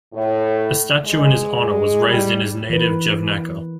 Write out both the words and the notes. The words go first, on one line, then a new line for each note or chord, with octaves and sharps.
A statue in his honor was raised in his native Jevnaker.
A2
G#3
G3
E3 A#4 B4